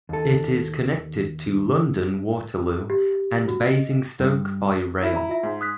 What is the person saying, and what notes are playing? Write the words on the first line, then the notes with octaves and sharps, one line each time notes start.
It is connected to London Waterloo and Basingstoke by rail.
D#2 A4
G4
F#4
D#5
G2
E4
A#5 B5
F4 E5
G#2
D#6 F#6 B6